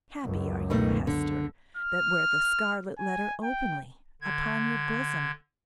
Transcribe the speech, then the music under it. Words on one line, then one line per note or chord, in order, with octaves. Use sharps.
Happy are you, Hester, that wear the scarlet letter openly upon your bosom!
C#2 F#2
B2 D#3 A3
D3
F6
G#5
G5
D3 G#6